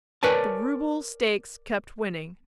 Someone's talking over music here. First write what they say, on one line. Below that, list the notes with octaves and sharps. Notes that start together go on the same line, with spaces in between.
The rouble stakes kept winning.
A#4 B4 C#5 D5 G#5 A5